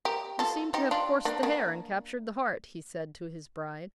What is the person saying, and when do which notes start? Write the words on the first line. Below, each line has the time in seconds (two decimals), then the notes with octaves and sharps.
"You seem to have coursed the hare and captured the hart." he said to his bride.
0.05 G4 A#4
0.39 F4 A4
0.74 D#4 G4
0.91 D4 F4
1.25 A#3 D4
1.43 A#3 D4